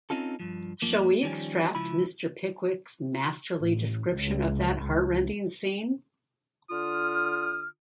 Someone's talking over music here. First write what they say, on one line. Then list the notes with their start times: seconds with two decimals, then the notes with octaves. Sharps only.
Shall we extract Mr. Pickwick’s masterly description of that heartrending scene?
0.10 C4 C#4 D#4 F4 A4
0.39 G2 F3
0.82 F#2 F3 A#3
1.23 D#3 F3 G3 C#4
1.75 C#2 F3 E4 B5
3.58 A1
4.11 C#2
4.78 C#2
6.70 D3 F4 D#6 F6